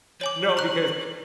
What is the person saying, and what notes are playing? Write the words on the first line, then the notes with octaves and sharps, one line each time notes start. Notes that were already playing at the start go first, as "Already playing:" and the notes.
"No, because
C#5 G#5 D6 F#7
A#5 C#6 F#6